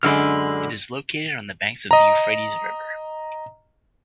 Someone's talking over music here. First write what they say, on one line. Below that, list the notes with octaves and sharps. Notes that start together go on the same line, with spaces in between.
It is located on the banks of the Euphrates River.
F#2 D3 G#3 B5 E6 F6
D#5 A#5